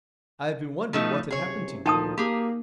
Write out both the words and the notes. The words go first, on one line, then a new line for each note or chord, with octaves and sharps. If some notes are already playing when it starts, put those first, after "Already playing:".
I have been wondering what had happened to you.
F3 A3 D#4
F#1 C3 G#4 C#5
D2 A#2 D#3 F3 D#4 A5 D#6
A#3 G4 G#4